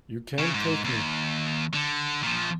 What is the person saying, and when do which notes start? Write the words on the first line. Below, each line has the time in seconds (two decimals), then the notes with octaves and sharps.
You can't take me!
0.39 C#3
0.54 G#2
0.85 D#2
1.74 D3
2.23 A#2 F3